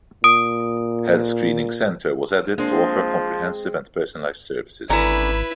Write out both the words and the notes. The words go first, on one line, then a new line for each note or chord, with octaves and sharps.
Health screening centre was added to offer comprehensive and personalized services.
A#2 D#6 D7
F3 G#3 A#3 C4 D4
G#1 D3 C#4 E4 B4 A#5